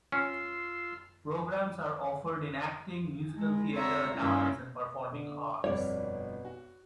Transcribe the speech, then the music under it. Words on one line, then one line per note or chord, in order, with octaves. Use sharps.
Programs are offered in Acting, Musical Theatre, Dance and Performing Arts.
C#4 F4 C6 E6
G#3
C4 D4 F#4 C#5 E5 A#5
G2 A#2 D#3 A#3 C#4 E4
D3
G1 F2 B2 G3 C#5 D5
F#4